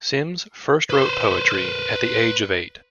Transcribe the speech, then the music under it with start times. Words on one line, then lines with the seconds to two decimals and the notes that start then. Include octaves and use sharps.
Simms first wrote poetry at the age of eight.
0.90 B4 C5